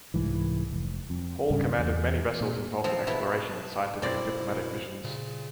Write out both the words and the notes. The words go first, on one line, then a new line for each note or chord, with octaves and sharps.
Hall commanded many vessels involved in exploration and scientific and diplomatic missions.
C2 G#2 E3
F1
F2
C#2 G#2 C#3 G3
E2
A#2
F3 C4 A5
B2 E4
F#2 B2 C4 E4 D5
A#2 C#3